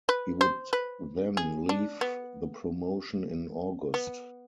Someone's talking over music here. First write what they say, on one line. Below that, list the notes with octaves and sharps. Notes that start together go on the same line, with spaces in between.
He would then leave the promotion in August.
B4
C5
B4
G#4
D4
B3
B3